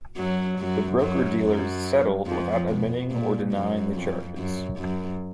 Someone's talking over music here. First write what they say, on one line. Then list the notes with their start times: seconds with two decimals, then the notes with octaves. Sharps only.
The broker-dealers settled without admitting or denying the charges.
0.17 F#2 F#3
0.58 F#2 F#3
1.00 F#2 F#3
1.43 F#2 F#3
2.26 F2 F3
2.69 B2
3.11 A#2
3.52 F#2
3.94 F2
4.37 F#2
4.79 F#2